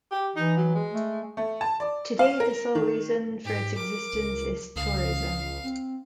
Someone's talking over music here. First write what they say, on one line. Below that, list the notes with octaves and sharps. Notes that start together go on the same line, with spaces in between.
Today the sole reason for its existence is tourism.
G4
E3 D#4
F#3
G#3
A3
A3
A5
D5
F5
A#4
D#3
G#2 G4
A#4 D6
C#2
C#2 F5 D#6
C4